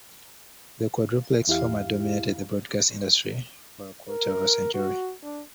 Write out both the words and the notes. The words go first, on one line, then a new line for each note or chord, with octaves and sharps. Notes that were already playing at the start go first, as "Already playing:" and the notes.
The Quadruplex format dominated the broadcast industry for a quarter of a century.
E2 E4 G4 F5
A#4
F#4
D4